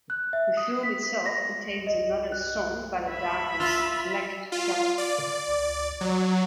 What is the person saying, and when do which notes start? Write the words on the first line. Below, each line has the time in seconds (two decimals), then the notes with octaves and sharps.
The film itself contains another song by the Darkness, "Black Shuck".
0.10 F#6
0.33 E5
0.57 D#6
0.83 B6
1.26 A#6
1.87 D#5
2.32 F#6
3.11 E5 B5
3.60 F4
4.52 F4
4.98 D5
6.01 F#3